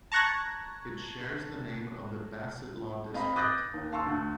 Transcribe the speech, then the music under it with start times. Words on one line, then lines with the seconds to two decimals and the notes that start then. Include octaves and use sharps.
It shares the name of the Bassetlaw district.
0.12 A5 A#5 C#6 F#6 G#6 A#6
3.13 C4 D#5 F5 B5
3.36 D6 D#6 F#6 G6 A6 A#6
3.74 D#2
3.92 F5 A5 C6 C#6 E6
4.06 D2